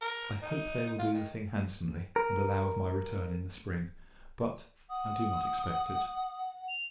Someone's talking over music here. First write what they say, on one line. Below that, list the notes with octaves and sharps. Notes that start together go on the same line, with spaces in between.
I hope they will do the thing, handsomely, and allow of my return in the spring; but, I do not expect it.
A#4
D#4
F4
D#3
A#4
F#5 D#6
F7